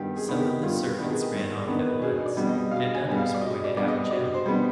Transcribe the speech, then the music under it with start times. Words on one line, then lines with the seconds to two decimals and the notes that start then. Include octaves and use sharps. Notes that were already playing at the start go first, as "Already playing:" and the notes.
Some of the servants ran off at once, and others pointed out Jem.
Already playing: G2 D#3 B3 G4
0.16 G#4
0.28 D#3 B3 D4
0.40 G4
0.63 G2 F4
0.85 G4
0.98 D#3 B3 D4
1.09 G#4
1.32 G2
1.56 D5
1.67 D#3 B3 D4
1.79 B4
2.02 B2 G#4
2.26 D5
2.37 G3 B3 D4
2.49 D#5
2.71 B2 F5
2.94 G#5
3.06 G3 B3 D4
3.18 F5
3.34 D5
3.41 B2 D#5
3.64 D5
3.76 G3 B3 D4 D5
3.88 D#5
4.11 B2 D5
4.34 C5
4.46 G3 B3 D4